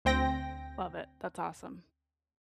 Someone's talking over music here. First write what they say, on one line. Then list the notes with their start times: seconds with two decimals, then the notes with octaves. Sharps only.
Love it. That's awesome.
0.05 D2 C4 G5 A#6